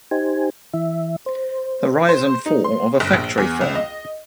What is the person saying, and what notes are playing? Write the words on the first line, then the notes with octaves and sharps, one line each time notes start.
The Rise and Fall of a Factory Firm.
D#4 G4 C5 G#5
E3 E5
C5
C5
D#4
C6
G1
A#1
E2
C#2
D#5